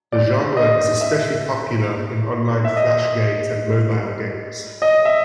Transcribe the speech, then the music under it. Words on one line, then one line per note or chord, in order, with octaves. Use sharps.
The genre is especially popular in online flash games and mobile games.
D5
D#5
E5
E5
D#5
D#5
E5